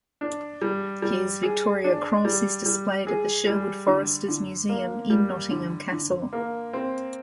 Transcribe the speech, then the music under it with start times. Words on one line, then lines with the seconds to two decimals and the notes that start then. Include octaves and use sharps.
His Victoria Cross is displayed at the Sherwood Foresters Museum in Nottingham Castle.
0.21 D4
0.62 G3
1.02 G3
1.43 G#4
1.84 D4
2.25 G3
2.66 G3
3.07 G#4
3.47 G3
3.87 D3
4.28 D3
4.69 A#3
5.10 G3
5.51 D3
5.92 D3
6.33 A#3
6.73 C4